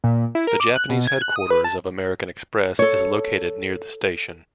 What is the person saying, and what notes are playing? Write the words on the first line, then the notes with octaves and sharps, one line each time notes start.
The Japanese headquarters of American Express is located near the station.
A#2
E4
A#4
D6
F#6
B2
G#6
F#6
D#6
B4
A5
A4 C#5